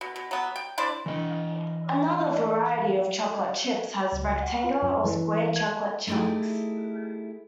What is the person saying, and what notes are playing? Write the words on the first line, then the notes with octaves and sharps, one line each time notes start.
Another variety of chocolate chips has rectangular or square chocolate chunks.
B2
B2
F#3 B3
G5
D4 E4 C5 D5
E3 D#5
C#2
F#5
F4
F#2
E3
G#6
A3 D#4 E4 G4 G#4